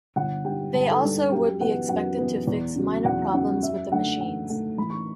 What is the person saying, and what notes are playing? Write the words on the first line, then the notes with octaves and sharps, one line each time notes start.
They also would be expected to fix minor problems with the machines.
G1 F#5
G2 D3 G3 G4 G5
G1 A5
G5
A4 A5
G2 D3 G3
F#2 G4 G5
E3 B3 F#5
F#2 F#5
E3 B3
E2
C#3 F#3
E2 F#5
C#3 F#3 F#5
F#2 E5
D3 A3 F#5
F#2 F#5
D3 A3 F#5
A1 B5
C#6